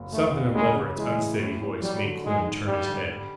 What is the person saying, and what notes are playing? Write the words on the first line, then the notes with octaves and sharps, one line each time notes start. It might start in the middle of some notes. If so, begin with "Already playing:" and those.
Something in Leverett's unsteady voice made Kloon turn his head.
Already playing: F#1
D#2 A3
D#2
C#3 G#3
C#3
E3 G#3
A2
A2
A2
F#3 G3
D3
D#3 G#3
G#2
G2 G3
D3
G3